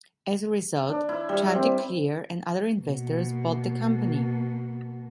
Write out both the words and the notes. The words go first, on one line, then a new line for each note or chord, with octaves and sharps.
As a result, Chanticleer and other investors bought the company.
D4
E4
G3
C4
B2 A#3